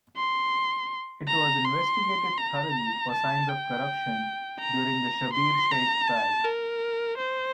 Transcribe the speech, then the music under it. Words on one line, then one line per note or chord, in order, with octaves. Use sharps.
It was investigated thoroughly for signs of corruption during the Schabir Shaik Trial.
C6
A#5
C6
A#5
A5
G5
A#5
C6
A#5
A5
A#4
C5